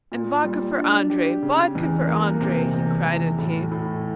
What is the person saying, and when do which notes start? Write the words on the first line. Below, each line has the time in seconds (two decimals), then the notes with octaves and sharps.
"And vodka for Andrey, vodka for Andrey!" he cried in haste.
0.12 A#2
0.45 G3
0.77 D4
1.10 G4
1.42 C#3
1.75 E2
2.08 A#3
2.41 C3
2.73 E2
3.05 E2
3.38 A2
3.72 A2